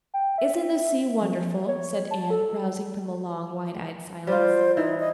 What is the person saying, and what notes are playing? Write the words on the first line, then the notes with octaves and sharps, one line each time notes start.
"Isn't the sea wonderful?" said Anne, rousing from a long, wide-eyed silence.
G5
E5
F3
C#5
A5
A4
G3 F4 C5
E3 D#4
D#5